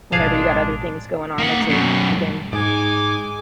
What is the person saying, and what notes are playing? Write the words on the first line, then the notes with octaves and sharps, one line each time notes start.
Whenever you got other things going on, that's a again,
A1 B2 F3 G#3 D4 G#4 F5 A5
A#3 F#5
F#2 B2
G#2 G#3 D#4 G#5 D6